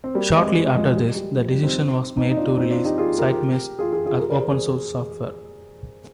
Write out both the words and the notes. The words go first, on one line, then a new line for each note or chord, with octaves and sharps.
Shortly after this, the decision was made to release SiteMesh as open source software.
C4
G3 A#3
G#3 C4
F3 G#3
G3
G#3
G3
F3
G3
C4 D#4
C4 D#4
D#4
D4 F4
D4
C4 D#4
D4 F4
D#4 G4
F4 G#4
G4 A#4
F4 G#4
F4 G#4
F4 G#4
G4 A#4
A#4 D5
G#4 C5
G#4 C5